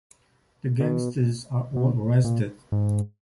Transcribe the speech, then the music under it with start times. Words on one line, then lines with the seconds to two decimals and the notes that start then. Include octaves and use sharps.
The gangsters are all arrested.
0.80 B2
1.76 B2
2.24 A#2
2.72 G#2